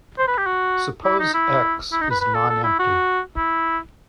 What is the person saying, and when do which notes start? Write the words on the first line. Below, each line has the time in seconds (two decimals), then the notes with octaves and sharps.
Suppose "X" is non-empty.
0.18 C5
0.28 B4
0.38 G4
0.46 F#4
1.05 E4
1.20 D#4
1.34 E4
1.92 E4
2.02 D#4
2.11 B4
2.21 B4
2.35 A4
2.50 A4
2.64 E4
2.79 F#4
3.37 E4